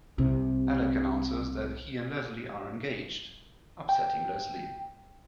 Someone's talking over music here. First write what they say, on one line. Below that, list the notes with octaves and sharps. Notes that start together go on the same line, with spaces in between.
Alec announces that he and Leslie are engaged, upsetting Leslie.
C2 C3
G5